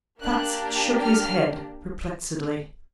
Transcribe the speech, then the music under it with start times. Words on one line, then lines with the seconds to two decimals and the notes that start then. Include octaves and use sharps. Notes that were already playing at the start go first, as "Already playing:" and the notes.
Platts shook his head, perplexedly.
0.20 A#3 D4 G4 F#6
1.03 F6